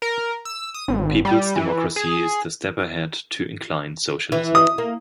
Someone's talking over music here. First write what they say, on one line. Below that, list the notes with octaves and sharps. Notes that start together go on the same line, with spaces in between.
Peoples' Democracy is the step ahead to incline Socialism.
A#4
E6
D#6
G#1
G3
E3
G#4
E3
D#6
A#3